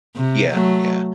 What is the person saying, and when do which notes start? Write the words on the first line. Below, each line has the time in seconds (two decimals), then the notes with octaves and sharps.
Yeah. Yeah.
0.16 C3
0.52 F#3 A3